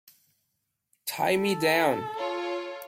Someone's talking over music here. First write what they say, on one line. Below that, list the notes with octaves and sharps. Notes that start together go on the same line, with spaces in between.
Tie Me Down!
A4
F4 C#5